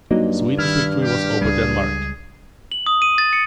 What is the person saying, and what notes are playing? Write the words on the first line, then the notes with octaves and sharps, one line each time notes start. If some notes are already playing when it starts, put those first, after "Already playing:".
Sweden's victory was over Denmark.
G2 F#3 A#3 D#4
D#3 E4 F6
G4
C#2 G3 G#4
F#7
D#6
D#7
A6
C#7